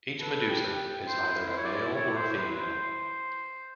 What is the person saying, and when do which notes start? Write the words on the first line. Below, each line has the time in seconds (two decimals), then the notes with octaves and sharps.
Each medusa is either a male or a female.
0.20 A4 B4
0.49 G4
1.07 E4 C5
1.50 C5
1.57 C#5
1.65 D5
1.94 C#5
2.16 C5
2.37 B4
2.59 C5